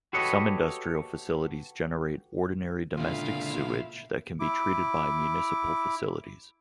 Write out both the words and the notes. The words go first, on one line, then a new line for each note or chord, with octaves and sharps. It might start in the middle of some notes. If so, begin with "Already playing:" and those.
Some industrial facilities generate ordinary domestic sewage that can be treated by municipal facilities.
F#4 G4 A4 B4 C#5 D#5
C#2 A#2 D3 E4 F4 F5
E4 D6